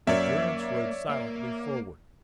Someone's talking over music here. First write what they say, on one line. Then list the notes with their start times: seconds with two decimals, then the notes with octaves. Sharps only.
But Durrance rode silently forward.
0.07 F#2 A#3 C#5 D5 E5
1.09 A#3